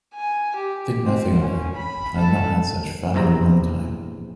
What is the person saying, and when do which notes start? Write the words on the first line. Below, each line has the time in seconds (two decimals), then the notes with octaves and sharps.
Think nothing of it. I’ve not had such fun in a long time.
0.15 G#5
0.56 G4
1.05 C4
1.40 C#4
1.77 B5
2.18 A4
3.14 A#1 E2 C3 C4 A#5